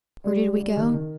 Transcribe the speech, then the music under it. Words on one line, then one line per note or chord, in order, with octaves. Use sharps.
Where did we go?
G3
G3
D#3
D#3